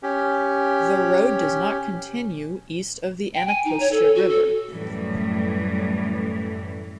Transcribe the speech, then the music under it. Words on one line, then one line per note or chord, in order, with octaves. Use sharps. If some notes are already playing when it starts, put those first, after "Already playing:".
The road does not continue east of the Anacostia River.
C#4 G4
G5
G#5
D#4
C#5
A4
F#4
A4
F#2 A2 E3 G3 A3